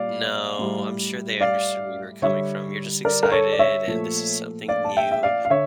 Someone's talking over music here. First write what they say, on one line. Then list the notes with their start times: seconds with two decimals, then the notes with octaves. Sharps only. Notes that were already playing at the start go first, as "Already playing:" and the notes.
No, I'm sure they understood where you were coming from, you're just excited, and this is something new,
Already playing: A#2 G3 D5 F5
0.59 A2 G3
1.40 D5 F5
2.22 D3 G3 C#5 E5
3.05 A#4 D5
3.23 A#4
3.32 A4 C#5
3.53 D5
3.59 C#5 E5
3.87 A#2 F3 A3
4.68 D5 F5
4.85 A5
4.97 E5 G5
5.12 E5
5.23 D5 F5
5.45 F5
5.50 D3 C#5 E5